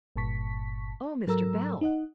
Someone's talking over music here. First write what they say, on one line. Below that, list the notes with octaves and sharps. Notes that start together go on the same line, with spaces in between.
'Oh, Mr. Bell!
G1 G2 A#2 A5 C#6 B6
G#2 F#3 A4 A#4 A#5 E6
D#4 D#5 F#5